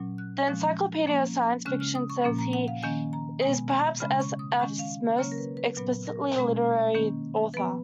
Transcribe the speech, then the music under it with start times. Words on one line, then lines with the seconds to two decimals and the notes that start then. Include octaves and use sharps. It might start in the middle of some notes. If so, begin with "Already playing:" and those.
"The Encyclopedia of Science Fiction" says "he is perhaps sf's most explicitly literary author".
Already playing: A#2 F#3 C#4
0.18 F#6
0.48 A#2 F3 G#3 C#4 F#6
1.06 F3 A#3 C#4
1.65 C#3 G#3 C#4 F#6
1.80 F6
1.95 D#6
2.10 C#6
2.24 A#2 F3 A#3 C#4
2.38 A#5
2.53 F#5
2.68 F5
2.83 D#3 A#3 C#4 G#5
3.13 A#5
3.41 B2 G#3 B3 G#5
3.71 A#5
4.00 C#3 G#3 C#4 B5
4.20 C#6
4.39 D#6
4.60 D#3 G#3 C#4 C#6
4.79 F5
5.18 C#3 F#3 A#3 C#4 C#5
5.32 A#4
5.38 B4
5.57 B4
5.77 A#2 F#3 B3 B4
6.07 A#4
6.36 B2 G#3 C#4
6.95 D#3 A#3 C#4
7.54 F3 B3 B4